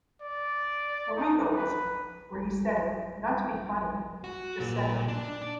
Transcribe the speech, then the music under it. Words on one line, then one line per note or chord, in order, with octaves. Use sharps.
A Ringo-ism, where he said it not to be funny... just said it.
D5
D#4
B4
F#4
A#2
D4
D5